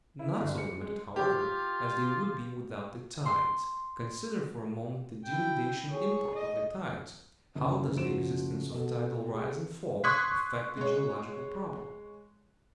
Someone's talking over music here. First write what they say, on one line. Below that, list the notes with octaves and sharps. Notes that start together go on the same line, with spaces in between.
Not so limited, however, as they would be without the tides. Consider for a moment the denudation import of the tides: how does the existence of tidal rise and fall affect the geological problem?
E4
G1
C#7
G#3
F4 G4
C6
E4 G5
G#4 C#5
D#5
F#1
F#1 F3 F#4 C5 D7 E7
B2 A4
G#4 A4
C6 C#6 D#6 F#6 G#6 B6
G#3 C#5